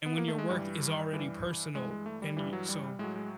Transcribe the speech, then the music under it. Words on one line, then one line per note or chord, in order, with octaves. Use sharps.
And when your work is already personal and you so
B3
A#3
A3
G#3
G2 E3 G3
G2 E3
G2 E3 G#3
G#3
A3
G3
G2 E3 G3
F#3
G3
G3
A2 F#3 G#3
G#3